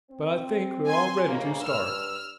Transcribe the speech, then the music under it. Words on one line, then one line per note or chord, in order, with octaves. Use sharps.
But I think we're all ready to start.
C4
G#5 C6
D2 G#2 C#3 A#3
G2 E6 F6